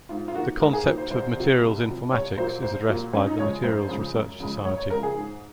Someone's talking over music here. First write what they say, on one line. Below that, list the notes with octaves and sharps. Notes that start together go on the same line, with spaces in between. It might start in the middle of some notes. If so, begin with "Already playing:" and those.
The concept of materials informatics is addressed by the "Materials Research Society".
G#2 F4
F4
D#3 F#3 A#3 F#4
G#2 A#4
G#4
D#3 F#3 A#3 C5
C5
C2 C5
C3 F#3
C2
C3 F#3
C2 C#5
A#2 F#3 A#3 C5
C2 C5
A#2 F#3 A#3
F#2 C#4
D#4
C#3 F3 G#3 C#5
F#2 C5
C#3 F3 G#3
F#2
C#3 F3 G#3
F#2 C#5
C#5
C#3 F3 G#3 A#4
G#4
G#2